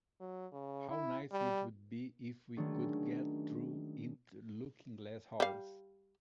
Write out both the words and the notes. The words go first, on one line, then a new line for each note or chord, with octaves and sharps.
How nice it would be if we could get through into Looking-glass House!
F#3
C#3
E4
G3
D#3 F#3 G#3 A3 C#4 D4
G3 F5